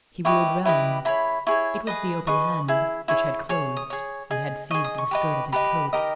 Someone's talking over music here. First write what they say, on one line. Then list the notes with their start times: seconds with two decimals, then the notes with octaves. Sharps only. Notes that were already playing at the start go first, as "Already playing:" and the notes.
He wheeled round; it was the open hand, which had closed, and had seized the skirt of his coat.
0.25 E4 G4 B4 D#5 C#6
0.65 E4 G4 B4 D#5
1.05 E4 G#4 C#5 B5
1.47 E4 G#4 C#5 C#6
1.87 G#4 B4 D#5
2.27 G#4 B4 D#5 C#6
2.68 E4 G#4
3.08 E4 G#4 C#5 C#6
3.49 G#4 C#5 C#6
3.77 D#6
3.90 G#4 C#5
4.31 G#4 D#5
4.71 G#4 D#5 C#6
4.84 D#6
4.98 C#6
5.11 G4 B4 D#5
5.52 G4 B4 D#5 B5
5.93 D#4 G4 A#4 D#5